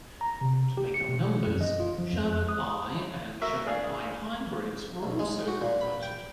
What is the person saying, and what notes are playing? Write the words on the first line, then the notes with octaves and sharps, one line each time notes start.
To make up numbers, Sherman I and Sherman I Hybrids were also converted.
A#5
C3
G4
C#7
B2
F#2
D#5
F4
F3
F2
F#6
D#6
F#4 A#4 E5
D4 G#4 F5
B1
G#3
F#4
A#2
B5
G5